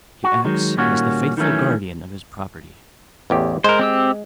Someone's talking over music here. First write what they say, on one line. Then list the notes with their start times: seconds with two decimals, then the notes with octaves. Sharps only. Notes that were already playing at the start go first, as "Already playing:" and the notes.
He acts as the faithful guardian of his property.
0.24 F#4
0.45 D#3 F#3 G#3
0.77 A#2 D#3 G3 A#3 C#4 F#4
1.37 D#3 E3 F#3 A3 C#4
3.30 A1 E2 G4
3.64 G#3 A#4 C5
3.79 C4 G4 E6